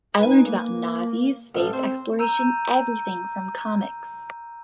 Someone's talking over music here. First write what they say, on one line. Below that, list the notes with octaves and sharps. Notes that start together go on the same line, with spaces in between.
I learned about Nazis, space exploration, everything from comics.
D#4 B4 G#5
A#3
A#3
A1 A4
C4 C5
A#5 E6 G6 D#7